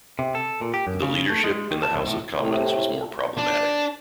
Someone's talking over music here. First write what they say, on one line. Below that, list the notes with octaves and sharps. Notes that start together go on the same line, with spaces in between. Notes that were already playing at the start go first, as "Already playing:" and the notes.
The leadership in the House of Commons was more problematic.
C3
A4
A#2
G4
F#2
C#3
A3
G#3
D#3
A5
C2
A2
A2 C3
D4